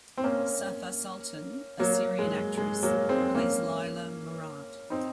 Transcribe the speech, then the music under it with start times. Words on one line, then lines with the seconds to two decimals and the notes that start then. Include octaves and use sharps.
Safa Sultan, a Syrian actress, plays Leila Mourad.
0.18 C4
0.24 A#3 C#4
1.79 F#3 A#3
2.19 G#3
2.57 G#3
2.83 F#3 A#3
3.09 G#3 C4
3.35 A#3 C#4
4.90 C4 D#4